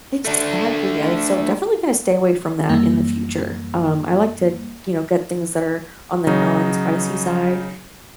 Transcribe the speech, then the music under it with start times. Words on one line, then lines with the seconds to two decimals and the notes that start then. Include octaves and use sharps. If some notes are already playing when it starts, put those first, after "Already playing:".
Exactly, I so definitely gonna stay away from that in the future. Um, I like to, you know, get things that are on the non-spicy side,
0.25 A3 D4
2.69 F#2 E3 G3 A#3
6.27 C#3 F#3 D#4